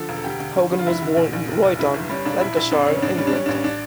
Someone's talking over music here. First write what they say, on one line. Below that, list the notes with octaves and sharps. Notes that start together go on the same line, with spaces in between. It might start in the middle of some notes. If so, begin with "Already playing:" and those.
Hogan was born in Royton, Lancashire, England.
Already playing: D3 F3 A4
E1
A4
D2 G4
D2
G2
G2
F4
F1 E4
D3
A#1
A#1
F1
F1
G2 E4
G1
G3 C#4
E1 D4
A#1 E4
A#1 E4
F2 D4
C#3 C#4
A1 D4
G3 C#4
D4
G3 C#4
A1 D4
C#4
D4